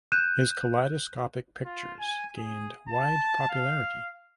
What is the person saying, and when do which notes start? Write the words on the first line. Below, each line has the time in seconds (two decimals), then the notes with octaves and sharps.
His kaleidoscopic pictures gained wide popularity.
0.12 F#6 G6 D#7 E7
1.65 F4
1.99 G#5
2.37 G#4
2.88 A5
3.49 F5